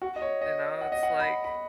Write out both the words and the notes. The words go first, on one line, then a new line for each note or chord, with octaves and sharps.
you know, it's, like,
F#4
D#5
C#5
D#5
F#5
D#5
F#5
B5
B5